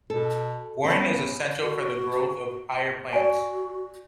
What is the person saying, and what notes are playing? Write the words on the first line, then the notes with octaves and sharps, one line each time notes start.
Boron is essential for the growth of higher plants.
B2 A4
B3 C#4
F#4
F#4 D5 G#5